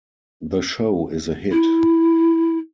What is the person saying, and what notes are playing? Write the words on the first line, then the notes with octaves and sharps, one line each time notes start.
The show is a hit.
E4